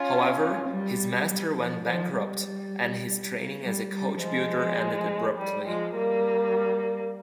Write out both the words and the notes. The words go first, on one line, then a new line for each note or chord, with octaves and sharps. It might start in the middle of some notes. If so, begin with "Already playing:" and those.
However, his master went bankrupt and his training as a coach-builder ended abruptly.
Already playing: C#4 F4
G3
G3
F3
F3
G3
G3
G3
F3 G#3
G3
F3 G#3
G3 A#3